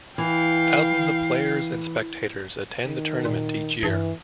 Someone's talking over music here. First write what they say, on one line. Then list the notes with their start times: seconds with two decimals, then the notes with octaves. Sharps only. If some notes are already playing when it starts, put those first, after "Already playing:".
Thousands of players and spectators attend the tournament each year.
0.18 E3 F5 G5
2.86 D#3
3.25 A#2
3.83 G2 E3